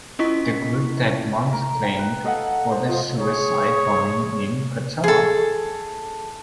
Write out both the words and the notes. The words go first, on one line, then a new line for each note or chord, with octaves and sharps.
The group that month claimed for the suicide bombing in Qatar.
C#4 E4 F4 D#5 C#6 B6
A#4
G5
B4
A4 D#5 F5 F#5
C5
F3 D#5
G#4 C#5
G#4 A4